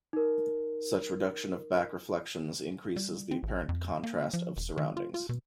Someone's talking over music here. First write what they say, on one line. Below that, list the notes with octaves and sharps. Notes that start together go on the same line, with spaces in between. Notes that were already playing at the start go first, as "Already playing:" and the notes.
Such reduction of back reflections increases the apparent contrast of surroundings.
D#4 A#4
G3
C4
A1
F2
A#3
F3
E1
D#3
F4
F4
B2